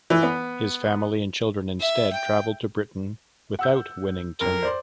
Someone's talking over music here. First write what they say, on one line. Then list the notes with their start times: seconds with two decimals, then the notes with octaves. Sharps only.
His family and children instead travelled to Britain without Winnington.
0.10 E3
0.23 B3
1.80 E5
2.13 G5
3.59 F#5 E6 G6
4.41 F2 A#4
4.62 C5 D5 C6